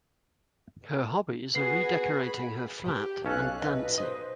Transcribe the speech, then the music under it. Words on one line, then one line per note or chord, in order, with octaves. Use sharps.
Her hobbies are redecorating her flat and dancing.
B3 F#4 G#4 C7
B5
G4
B1 C#4 A4 F5 F#6
B4 D#5
C5 D#5